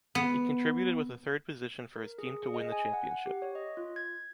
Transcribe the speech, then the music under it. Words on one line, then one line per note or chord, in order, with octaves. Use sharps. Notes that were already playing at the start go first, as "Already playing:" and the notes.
He contributed with a third position for his team to win the championship.
B3
A#4
G#4
G#4
D#5
G#5
F#5
F#5
G4
C#5
D#5
F4
G#6